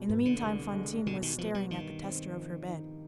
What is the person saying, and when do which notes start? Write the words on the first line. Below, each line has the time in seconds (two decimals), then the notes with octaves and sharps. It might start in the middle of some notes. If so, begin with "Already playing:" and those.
In the meantime, Fantine was staring at the tester of her bed.
Already playing: C2 B2
0.08 G#2 B3
0.25 D3
0.41 C2
0.74 G#3
1.06 B2 D3
1.23 D#3
1.38 F3 B3
1.55 G3
1.71 G2 D#3
2.04 C4
2.37 F3
2.69 D#4